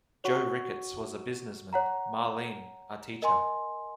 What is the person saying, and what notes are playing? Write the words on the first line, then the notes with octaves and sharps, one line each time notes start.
Joe Ricketts was a businessman; Marlene, a teacher.
F#4 C#5 F#5 C#6
C#5 F#5 A#5
A#4 D#5 G#5 C6